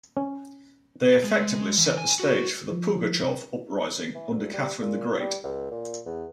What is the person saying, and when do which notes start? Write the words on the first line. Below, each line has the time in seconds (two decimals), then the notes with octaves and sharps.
They effectively set the stage for the Pugachev Uprising under Catherine the Great.
0.17 C#4
1.24 G#3
1.78 E3
1.97 G#5
2.20 F#4
2.72 F3
3.23 C3
4.14 E3
4.31 D2
4.54 G3
4.82 A#2
5.20 G3
5.44 C#2
5.71 A#2
6.06 E2